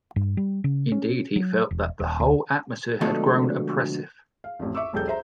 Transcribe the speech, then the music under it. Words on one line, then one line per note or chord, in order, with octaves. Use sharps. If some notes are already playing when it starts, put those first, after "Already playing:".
Indeed he felt that the whole atmosphere had grown oppressive.
G2
G3
C#3
C#4
F#3
E1
D#1
D2
B2 D3 F3 G#3 A3 A4
F5
A1 F2
E5 C#6 D6 E6
E1 B1 G4 A4 G6
C5 E5 A#5